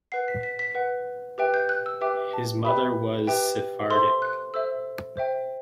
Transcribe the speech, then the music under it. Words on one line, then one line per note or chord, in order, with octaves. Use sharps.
His mother was Sephardic.
B4 F#5 C7
B6
B6
B6
B4 F#5
G4 B4 E5 G5
G6
F#6
E6
G4 B4 E5 G5 D6
A5
G4 B4 E5 G5 B5
G4 B4 E5 G5
A4 C5 E5 C6
F#6
A4 C5 E5 E6
C5 E5 G5